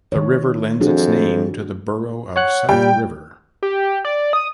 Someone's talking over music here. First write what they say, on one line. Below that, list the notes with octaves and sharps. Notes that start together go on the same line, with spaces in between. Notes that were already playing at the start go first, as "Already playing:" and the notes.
The river lends its name to the borough of South River.
D#3 C#5
F2 D4 F#4 G#4
C#5 F#5 F#6
A#2 G3 G5
G4
D5
D#6